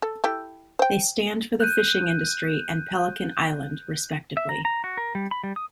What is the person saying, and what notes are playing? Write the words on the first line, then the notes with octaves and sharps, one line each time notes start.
They stand for the fishing industry and Pelican Island, respectively.
A4
E4 G4 A4
C5 G5
F#6 G6 D#7
E5
A#5
A#5
F#4
A#4
G3
B5
G3
D#6